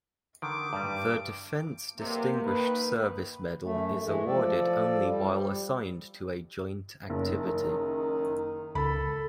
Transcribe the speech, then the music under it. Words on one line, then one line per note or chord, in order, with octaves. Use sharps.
The Defense Distinguished Service Medal is awarded only while assigned to a joint activity.
D3 D#3 D6
G2 G3
B1 C3 A#3
D#3 B4
F#2 A3
E3 G#3 A3
F3 A4 D5
G3
F#1 D#3
C#2 A4 B5